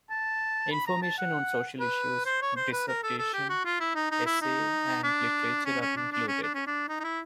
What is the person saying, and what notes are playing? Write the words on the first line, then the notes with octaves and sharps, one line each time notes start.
Information on social issues, dissertation, essay and literature are included.
A5
B5
A#5
A5
F#5
B4
C5
C#5
C5
B4
A#4
A4
A4
G4
F#4
F4
E4
D#4
D#4
E4
D#4
D4
C#4
C#4
D4
D4
C#4
D4
C#4
D4
D#4
D#4
E4